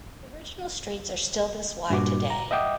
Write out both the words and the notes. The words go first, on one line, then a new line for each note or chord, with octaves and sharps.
The original streets are still this wide today.
G2 A#2 F#4 D6
A#5
D#5 E5 F#5 G5 D6 D#6